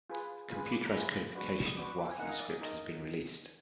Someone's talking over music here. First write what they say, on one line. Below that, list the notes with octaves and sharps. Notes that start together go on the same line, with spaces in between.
A computerized codification of Wakhi script has been released.
F4 G#4 B4
F4 G#4 B4 B5
D#6
D6
A#5
F4 G#4 B4 B5
D4 F#4 B4
D#6
D4 F#4 B4 D6
D6
G#5
D#4 A#4 F5 F#5
D#5
D5
D#5
D#4 A#4 D#5